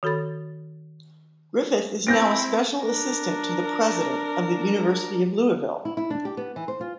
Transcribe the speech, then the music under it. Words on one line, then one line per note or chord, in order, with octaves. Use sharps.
Griffith is now a special assistant to the President of the University of Louisville.
D#3 F#4 A4 B5 A6
C4 E4 G6 A#6 D7
D4 A#4
E4
E4
D4
G4
B3
E3
C5
F4